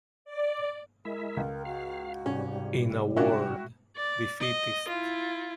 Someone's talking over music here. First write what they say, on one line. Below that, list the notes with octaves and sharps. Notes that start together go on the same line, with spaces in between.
In a word, defeatist.
D5
G#3 E4 A#4 E5
C#2
F#4 F5
G#2 C3 G3 C#4
E4
C#4 D4 E4 F#4 G5
D5
D#5
E4 F4